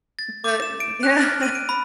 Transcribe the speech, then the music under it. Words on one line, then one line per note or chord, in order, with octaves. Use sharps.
but Yeah.
A6
D6
E7
D7
F#6
F6
D#7
D7
B5